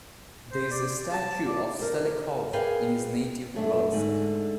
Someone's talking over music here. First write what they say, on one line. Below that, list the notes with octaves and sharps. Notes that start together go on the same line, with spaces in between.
There is a statue of Shelekhov in his native Rylsk.
C5
D5
A5
D5
C3 A#4
G#4 A#4 B4 D5 F5 G5
F#2 A3 D4
G#2 D3